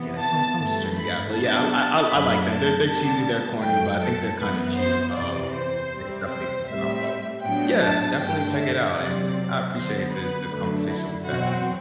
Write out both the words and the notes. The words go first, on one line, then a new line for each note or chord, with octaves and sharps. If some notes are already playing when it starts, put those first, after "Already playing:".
Yeah, some some streaming app, but yeah, I l I I I like them. They're they're cheesy, they're corny, but I think they're kinda cute, um, it's definitely something I've watched. Yeah, definitely check it out, and I appreciate this this conversation we've had.
Already playing: C3 E3 B3
A5
G2 E3 A3
B5
C3 F#3 B3 D4 A5
A5
F#2 F#3 A3 D4 B5
A5
D3 G3 B3 D4 A5
F#2 F#3 A3 G5
A4
F#2 E3 B3 B4
C5
E2 C3 E3 D5
C5
C3 G3 C4
C5
A2 G3 C4 E5
A2 F#3 B3 D4 G5
A5
G2 D3 A3 D4 G5
E5
C3 F#3 C4 D5
D3 F#3 B3 C5
B4
F#2 D3 F#3 A3 D4
E4
E2 B2 F#3 C4 F#4